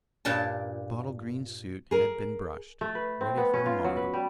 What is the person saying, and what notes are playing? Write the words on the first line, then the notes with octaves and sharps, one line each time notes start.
The bottle-green suit had been brushed, ready for the morrow.
G2 A#2 D4 A5
G#4 A#4
A3
B4
C4
B3
C#4
F4
F#3
B4
G3